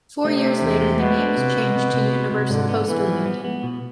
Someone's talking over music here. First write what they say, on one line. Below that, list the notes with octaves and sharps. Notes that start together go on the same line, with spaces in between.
Four years later, the name was changed to "Universal Postal Union".
C3 A3
D4
E2
A3
B2 B3
D4
C3
C3
C3
C3
B3
C3
G#2 D3
B3
E3 B3
F3
B3
B3
B2